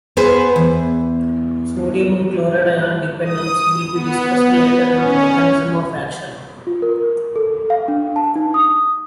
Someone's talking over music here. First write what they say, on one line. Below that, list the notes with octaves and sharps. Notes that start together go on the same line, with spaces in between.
Sodium and Chloride ion dependence will be discussed later in the mechanism of action.
B3 G#4 B4 C5
E2
D#6
B3
C#4
F4
A#4
A4
F5
D4
A5
D#4
D#6